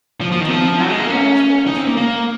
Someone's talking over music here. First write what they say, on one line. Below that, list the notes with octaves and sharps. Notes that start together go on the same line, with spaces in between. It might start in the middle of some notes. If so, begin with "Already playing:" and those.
I do not advise the custard.
F3
F3
D#3
F3
F#3
G#3
A#3
C#4
D#4
C4
A#3
A#3